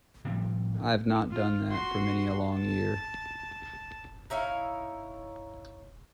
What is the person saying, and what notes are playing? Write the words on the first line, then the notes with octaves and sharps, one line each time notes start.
I have not done that for many a long year!
A2 C3 F3 G3
F4
F#4 C6
A5
D#4 E4 C#5 F5